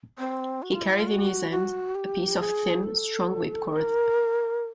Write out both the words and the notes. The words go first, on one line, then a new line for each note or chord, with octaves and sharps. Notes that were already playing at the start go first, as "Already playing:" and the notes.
He carried in his hand a piece of thin, strong whipcord.
C4
F#4
F4
E4
F4
F#4
F#4
G4
G#4
A4
A#4